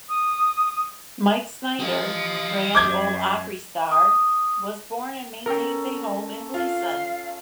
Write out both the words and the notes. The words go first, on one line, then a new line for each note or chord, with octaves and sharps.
Mike Snider, Grand Ole Opry star, was born and maintains a home in Gleason.
D#6
F3 G4 D#5
F#2 D6 G6 G#6
D#6
C#4 A4 A#4 G5 A#5
F4 F5